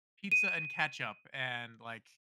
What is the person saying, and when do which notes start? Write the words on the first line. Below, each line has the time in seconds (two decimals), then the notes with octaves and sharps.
pizza and ketchup and, like
0.32 D#7